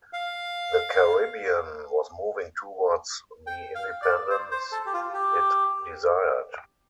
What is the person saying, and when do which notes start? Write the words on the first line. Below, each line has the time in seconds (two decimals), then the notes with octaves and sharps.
The Caribbean was moving towards the independence it desired.
0.13 F5
3.47 G5
3.75 F5
4.02 D5
4.30 C5
4.51 C5
4.72 A4
4.86 G4
4.94 F4
5.14 G4